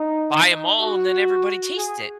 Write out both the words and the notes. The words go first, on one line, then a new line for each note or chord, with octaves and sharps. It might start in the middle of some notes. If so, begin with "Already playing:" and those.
buy 'em all and then everybody taste it.
Already playing: D#4
D#4
F#4
G#4